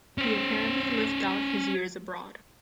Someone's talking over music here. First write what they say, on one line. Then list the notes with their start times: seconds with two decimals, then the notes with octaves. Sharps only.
He apparently lived out his years abroad.
0.18 C#4 C5